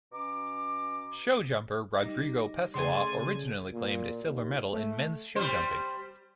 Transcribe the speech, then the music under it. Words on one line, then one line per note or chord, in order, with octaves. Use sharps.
Show jumper Rodrigo Pessoa originally claimed a silver medal in men's show jumping.
B2 C#4 A#5 D6
G3 D#4
C#3 A3 D5 G#5 C6
A#2
D#2
A3
G3 C5